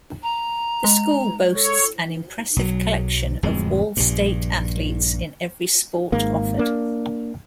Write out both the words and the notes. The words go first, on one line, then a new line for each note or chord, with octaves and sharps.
The school boasts an impressive collection of all state athletes in every sport offered.
A#5
G#3
A4 C#5
B1 F#3
D1 F2 G#3
A#1 G2
G#1 G#2 A#3
A#3 D4